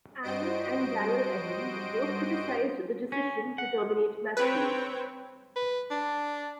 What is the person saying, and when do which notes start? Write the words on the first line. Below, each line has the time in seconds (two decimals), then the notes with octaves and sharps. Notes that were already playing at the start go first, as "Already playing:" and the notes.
Aaron and Darrell Evans both criticized the decision to terminate Mathews.
0.23 G2 G3 F#4 C5 D#5 D7
3.12 C#4
3.58 F#5
4.37 C4 B4 C#5 G5
5.56 B4
5.91 D4